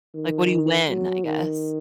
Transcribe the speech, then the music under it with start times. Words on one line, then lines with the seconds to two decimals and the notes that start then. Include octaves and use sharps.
Like, what do you win, I guess?
0.15 D#3
0.89 F#3
1.25 D#3